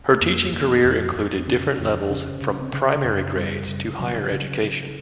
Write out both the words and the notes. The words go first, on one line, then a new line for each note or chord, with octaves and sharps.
Her teaching career included different levels from primary grades to higher education.
A3
F2 A#3
F2
F2
F2
C4
C#3 C#4
F2
C#3 C#4
C#3
C4
C#3 C#4
F#2
C#3 G3
C#3
C#3 F#3
C#3
C#3